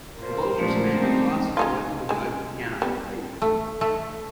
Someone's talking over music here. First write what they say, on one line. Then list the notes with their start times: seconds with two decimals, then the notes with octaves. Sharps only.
A well dressed man with glasses working with an open piano.
0.18 A#2 A#4 C5
0.58 A#2 F3 G#3 A3 C#4
0.99 G3 C4 D#4
1.57 G#3 D#4 F4
2.09 G3 G#3
2.82 G3 B3
3.42 A3
3.81 A3